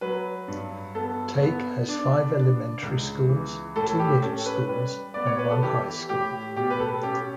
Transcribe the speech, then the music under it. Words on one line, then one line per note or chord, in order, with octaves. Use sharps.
Take has five elementary schools, two middle schools and one high school.
F#3 B4
G2
B3 A4
B3
D4
D4
C#2
E3
A2 A4
G4
C#4 A4
B4
G3 B4
B3 D5
C#5
B4
A4
E3 G4
A2 G4
B2 G4
B4
A4
C#4 G4